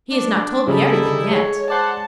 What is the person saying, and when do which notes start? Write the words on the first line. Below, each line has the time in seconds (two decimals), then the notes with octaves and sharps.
He has not told me everything yet.
0.11 D4
0.67 C#3 G3 D#4 E4 A4
1.31 G#3 C#5
1.70 C5 D5 F#5 A5